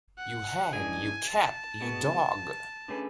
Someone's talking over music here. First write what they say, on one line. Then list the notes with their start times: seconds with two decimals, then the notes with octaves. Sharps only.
You hag, you cat, you dog!
0.19 F#5
0.73 F#2 E3 G#3 D4 G#4 G#5
1.27 A5
1.81 B2 G#3 B3 F#4
2.88 D3 A3 C#4 G#4 B4